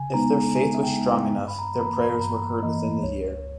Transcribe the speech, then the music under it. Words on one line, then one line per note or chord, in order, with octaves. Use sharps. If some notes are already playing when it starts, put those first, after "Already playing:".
If their faith was strong enough, their prayers were heard within the year.
Already playing: C#3 G#5
G#3 B3 D#4 A#5
C#3 G#5
E5
G5
G#3 B3 D#4
G5
G2
B5
A#5
A#5
E3 A#3 B5
B5
G2 A#5
E3 A#3 D#5
C#2 C#5